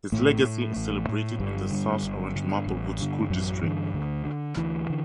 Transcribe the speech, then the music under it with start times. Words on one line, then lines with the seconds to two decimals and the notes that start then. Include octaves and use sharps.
His legacy is celebrated in the South Orange-Maplewood School District.
0.12 A1 A2 A3
0.44 A2
0.76 A1
1.09 A2
1.39 G1 G2 G3
1.71 G2 D3
2.03 G1
2.35 G2 D3
2.66 A1
2.99 G2 D3
3.30 A1 F#2 F#3
3.63 G2 D3 E3
3.94 D2 D3
4.25 D3
4.57 D2 E3
4.90 D3